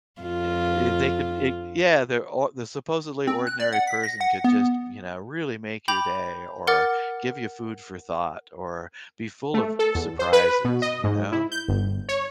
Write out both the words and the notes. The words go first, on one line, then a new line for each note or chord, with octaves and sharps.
Eh eh they could eh yeah, they're or the supposedly ordinary person could just, you know, really make your day or give you food for thought or be full of surprises, you know?
F2 F4
C4
F#6
D5
F#5
B6
A#6
F#5
B3
G5 B5 D6 G6 F7
A#4 F#5 D6 F6 A6
A3
A4
E2
C5
B4
B2
D#5
G#2
E4
G6
G1
C#5